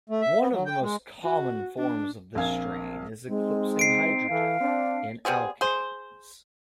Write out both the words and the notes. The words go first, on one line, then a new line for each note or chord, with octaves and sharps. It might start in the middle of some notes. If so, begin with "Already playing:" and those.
One of the most common forms of this strain is eclipsing hydrogen, in Alkanes.
A3
E5
B3
F#3
G5
G#3
F#4
D4
A#1 C4 A#4 F5 G#5 G#6
G#3 C4 D#4
C7 D7
E3 A4 F5
C4 D4
G3 B3 C4 G#4
G#4 C5